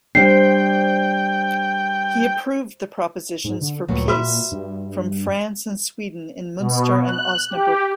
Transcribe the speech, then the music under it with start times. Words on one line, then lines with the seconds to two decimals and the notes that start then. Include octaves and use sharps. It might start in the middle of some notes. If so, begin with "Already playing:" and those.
He approved the propositions for peace from France and Sweden in Munster and Osnabruck.
0.15 G3 C4 D4 G5 C7
3.44 G#2
3.61 D3
3.88 D2 G2 A#2 F#3
4.08 F#4 B4 E5 B5
4.52 G2
6.58 B2
7.04 F#6
7.50 G4